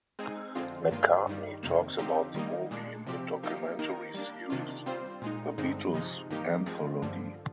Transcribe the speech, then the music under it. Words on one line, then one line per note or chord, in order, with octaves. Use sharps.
McCartney talks about the movie in the documentary series "The Beatles Anthology".
G#3 C4 D#4 G#4
F2 D3 G#3 C4 F4
G2 D#3 A#3 F4
G2 D#3 G3
F2 C3 D#3 A#3
D3 F3 C4 D#4 G4
D#3 G3 A#3 D#4
A#2 G#3 D4
C3 F3 C4 G4
F3 A#3 D#4 G4
D#3 A#3 D#4 A#4
G3 A#3 D4
C3 D#3 A#3 D4 F4
G3 C4 F4 C5
A#2 G#3 D#4
G2 D3 G#3 C4 D#4
C3 F3 G#3 D#4
G2 D#3 A#3 D#4 G4
F3 G#3 C4
G2 D3 F3